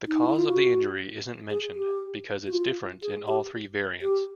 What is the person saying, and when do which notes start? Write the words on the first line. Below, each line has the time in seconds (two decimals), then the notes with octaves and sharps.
The cause of the injury isn't mentioned, because it's different in all three variants.
0.07 D#4
0.23 E4
0.37 F4
0.49 F#4
1.50 G#4
1.75 G4
2.47 F#4
2.52 F4
3.02 G#4
3.27 G4
4.02 G4